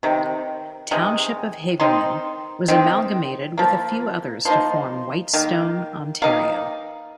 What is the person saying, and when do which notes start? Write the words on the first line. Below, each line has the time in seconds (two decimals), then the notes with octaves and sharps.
Township of Hagerman was amalgamated with a few others to form Whitestone, Ontario.
0.03 C3 D#3
0.91 C3 D#3 G#3
1.80 D#3 C4 D#4 C6
2.68 D#3 C4 D#4
3.58 F3 A#3
4.45 F3 A#3 D#4 C6
5.34 D#3 A#3
6.22 D#3 A#3 D#4 F5